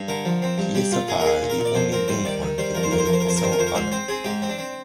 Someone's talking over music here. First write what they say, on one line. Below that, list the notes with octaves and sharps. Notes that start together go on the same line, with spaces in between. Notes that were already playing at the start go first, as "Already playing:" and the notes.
He is so far the only Longhorn to be so honored.
Already playing: G2
D3 A#4
F3
C4
G2
G3 G4
A#2 F4
A#3 G#4
A#4
A#3 G#4
A#2
A#4
A#2
D5
F2 C5
C4 A#4
G3 C5
D#3 D5
D#3
G3 C5
F2 A#4
C5
F2 A#4
C5
A#4
F2 C5
A#4
F2 C5
A#4
D#3 C5
A#4
F2 C5
A#4
G#2 C5
C4 C5
C4 G#4
G#2 G4
C4
D4
C4